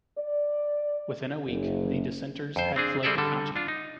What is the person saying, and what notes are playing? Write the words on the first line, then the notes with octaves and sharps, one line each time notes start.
Within a week the dissenters had fled the county.
D5
F#1
F2 C5
C4 D4 G#4
G3 C4 G#4 A4 D5 E5
D3 G3 A4
D4 F4
D#4